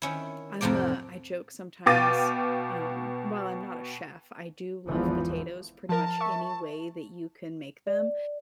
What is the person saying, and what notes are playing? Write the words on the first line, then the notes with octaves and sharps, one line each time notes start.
I'm a I joke sometimes, um while I'm not a chef, I do love potatoes pretty much any way that you can make them.
D#3 C#4 E4
F2 A2 C3 F3 A#4 D5
B2 F5 G5 D6 A6 D#7
G#1 E2 D3 E3 F3
F3 A#4 A5
E5 C#6
D5